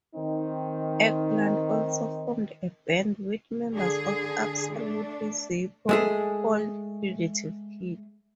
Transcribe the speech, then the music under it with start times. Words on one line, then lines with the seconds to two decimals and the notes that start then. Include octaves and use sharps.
Eggplant also formed a band with members of "Absolutely Zippo" called Fugitive Kind.
0.15 D#3 C4 D#4
3.73 D3 G#4
4.72 A3 D4
5.89 G#3 A3 G#4